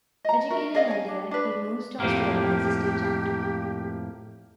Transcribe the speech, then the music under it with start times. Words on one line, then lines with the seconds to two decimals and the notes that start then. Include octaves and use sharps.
Educated in India, he moves to Australia as a stage actor.
0.25 D#5 A#5
0.50 F#4 A#4 E5
0.74 G#4 D5 D#5 F5
0.87 C#5 G#5
1.08 D4
1.31 D4 B4
2.00 F2 A2 A#3 G4